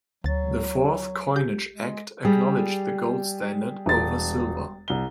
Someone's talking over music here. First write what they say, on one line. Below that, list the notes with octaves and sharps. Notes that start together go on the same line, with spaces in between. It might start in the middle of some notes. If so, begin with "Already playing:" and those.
The Fourth Coinage Act acknowledged the gold standard over silver.
D2 F#3 A6
G4 G6
G#3
G3 G4 G#4
E1 A6
C2 G7